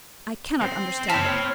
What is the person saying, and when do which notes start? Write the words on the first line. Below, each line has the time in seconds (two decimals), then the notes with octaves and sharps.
I cannot understand it.
0.60 C4
1.10 C#5 A5 B5 F6